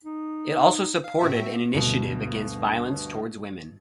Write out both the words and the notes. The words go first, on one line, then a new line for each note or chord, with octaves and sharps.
It also supported an initiative against violence towards women.
D#4
F5
A2 C4 F#4 E5
D2 G2 B2